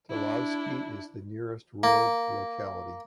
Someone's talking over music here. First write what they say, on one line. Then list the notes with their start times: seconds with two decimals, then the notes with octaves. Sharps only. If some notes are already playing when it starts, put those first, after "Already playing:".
Talovsky is the nearest rural locality.
0.11 D4 E4
1.83 A#3